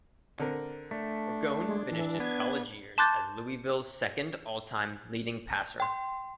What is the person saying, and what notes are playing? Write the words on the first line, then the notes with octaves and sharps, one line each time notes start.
Ragone finished his college years as Louisville's second all-time leading passer.
D3 C4 A#4
A3 D4
G#3
E3
B3 G#6
A5 C6 D6 F#6 G6 A6
G5 C6